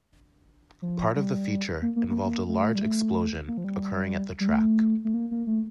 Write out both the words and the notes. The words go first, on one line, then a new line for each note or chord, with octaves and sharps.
Part of the feature involved a large explosion occurring at the track.
F3
G3
A#3
A#3
A#3
A#3
A3
G3
A3
A#3
F3
G3
G3
A3
A3
A#3
A#3
A3